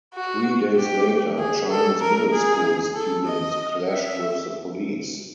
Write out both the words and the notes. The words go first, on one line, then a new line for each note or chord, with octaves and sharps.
Three days later, Chinese middle school students clashed with the police.
F#4
G4
G#4
A4
A#4
G#4
A4
D#5
E5